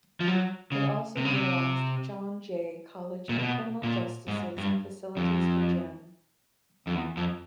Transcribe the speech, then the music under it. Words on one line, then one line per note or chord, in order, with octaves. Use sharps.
It also utilized John Jay College of Criminal Justice's facilities for gym.
F3
F#3
C#3
C3
C#3
C3
A#2
B2
A#2
G#2
G2
F2
F2
E2
F2